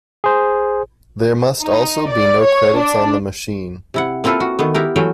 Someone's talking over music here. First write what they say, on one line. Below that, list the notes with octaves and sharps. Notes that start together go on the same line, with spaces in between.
There must also be no credits on the machine.
G#4 C5
D#4
D5
C#5
D4
C3 E4 F#5
A#3 C4 E4 F4 A4 B4
F#4
D#3 A3 B3
B3 E4 G4 A#4
E3 F#3 A3 F5 G5